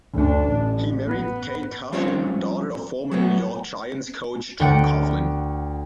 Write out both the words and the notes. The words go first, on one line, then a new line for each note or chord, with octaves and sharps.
He married Kate Coughlin, daughter of former New York Giants coach Tom Coughlin.
D2 D4
A1
B3
F3 G3 C4 C#4 F4 C#5
F#3 A3 B3
D2 D3 D5 F#5 G5 C#7